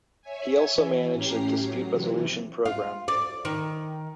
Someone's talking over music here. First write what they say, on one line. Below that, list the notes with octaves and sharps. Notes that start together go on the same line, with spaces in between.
He also managed a dispute resolution program.
C#5 E5 G#5
E3
A2 C#4 G4 A#5 A#6 C7
F#3
C3 E3
F4
D5
D#3